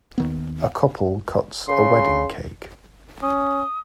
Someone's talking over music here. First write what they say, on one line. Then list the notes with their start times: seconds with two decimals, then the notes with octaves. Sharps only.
A couple cuts a wedding cake.
0.18 D#2 D#3 B3
1.68 C#3 C6
3.23 C#4 D#6